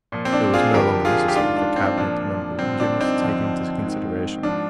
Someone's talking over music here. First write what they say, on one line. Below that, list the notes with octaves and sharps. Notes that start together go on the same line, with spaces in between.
It was no longer necessary for cabinet members and generals to take him into consideration.
A#2 F3
C4
D4
F4 G#4
F2 D3 F3 G4 A#4
F4 G#4
G4
G#2 D#3 D4 F4
D4
C4
A#2 F3 D4
G2 D3 F3 C4
D4
C4 D#4
F2 D3 F3
G#2 D#3
G#2 F3 D4